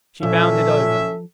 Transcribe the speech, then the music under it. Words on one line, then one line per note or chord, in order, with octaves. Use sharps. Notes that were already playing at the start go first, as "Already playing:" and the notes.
She bounded over.
F#1 A#2 F3 C#4 A4 E5